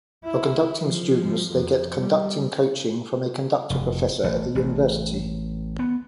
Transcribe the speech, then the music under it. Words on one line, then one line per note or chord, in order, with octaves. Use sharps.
For conducting students, they get conducting coaching from a conductor-professor at the university.
E4
F3
F2
G3
F1
A1
A1
B3